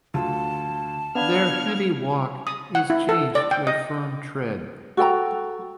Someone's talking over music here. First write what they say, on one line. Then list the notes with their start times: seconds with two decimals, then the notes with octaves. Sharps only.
Their heavy walk is changed to a firm tread.
0.14 D2 F4 A5
1.15 B3 D4 F5 B5 F6 G#6
2.47 D#6
2.75 F#5
2.90 E4
3.09 A4
3.35 D5
3.51 G5
3.67 D#5
4.97 F#4 A4 G5 A#5